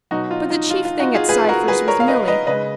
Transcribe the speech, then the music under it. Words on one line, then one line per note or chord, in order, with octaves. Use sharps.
But the chief thing at Cypher's was Milly.
B2 F#3 D#4 F#4
F4
D#4
F4
F4
D#4 F#4
F4 G#4
G#4 B4
F#4 A#4
G#4 B4
A#4 C#5
F5
B4 D#5
B4 D#5
C#3 G#3 B4 D#5